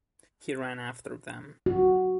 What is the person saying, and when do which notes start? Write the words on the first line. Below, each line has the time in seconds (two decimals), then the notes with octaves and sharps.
He ran after them.
1.66 F#4